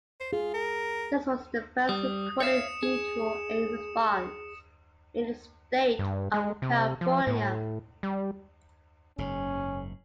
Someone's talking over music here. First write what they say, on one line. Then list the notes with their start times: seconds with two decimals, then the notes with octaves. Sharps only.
This was the first recorded mutual aid response in the state of California.
0.20 C5
0.33 F4 G#4
0.54 A#4
1.89 G3 D#6
2.40 C#5 E5 F5 C#7 E7
2.83 G#4
5.99 G2
6.34 G#3
6.62 C3
7.01 F3
7.27 A2
8.03 G3
9.18 F#1 G#2 C#4